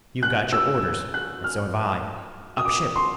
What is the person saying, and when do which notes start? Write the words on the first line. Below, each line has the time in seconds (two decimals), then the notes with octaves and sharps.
"You've got your orders, and so have I. Up ship!"
0.23 F#6
0.53 E6
1.14 F#6
1.44 F6
2.57 D#6
2.65 D6
2.96 C6